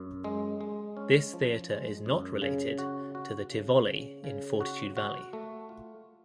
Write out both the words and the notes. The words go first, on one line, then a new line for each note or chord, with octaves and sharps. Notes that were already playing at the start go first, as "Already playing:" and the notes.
This theatre is not related to The Tivoli in Fortitude Valley.
Already playing: F#2
G#3
G#3
C#4
F3
G#3
F#2
C#3
F#4
F#4
C#3
C#3
C#3
F#4
F#4
A3
F4